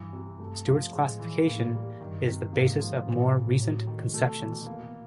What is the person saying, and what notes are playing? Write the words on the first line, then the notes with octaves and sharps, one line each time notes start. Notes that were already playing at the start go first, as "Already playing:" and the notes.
Stewart's classification is the basis of more recent conceptions.
Already playing: G2 E3
C3
G2 A3
F3
A2 G#3
E3
A2 A#3
G3
G2 D#3
C3
G#2 A#3
F3
A2 E3
C3
F#3
D#3
B2 A3
E3
A#3